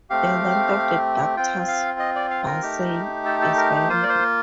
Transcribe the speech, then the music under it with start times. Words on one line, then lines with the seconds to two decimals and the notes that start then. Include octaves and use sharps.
The length of the ductus bursae is variable.
0.10 A3 C4 G4 F5
1.36 C4 F4 G5
1.68 F5
1.99 D#5
2.15 D5
2.30 F5
2.46 A#4
2.62 A3 D#4 G4
3.25 A4
3.42 A4
3.57 A#4
3.89 A#3 F4 C5
4.03 D5
4.09 C5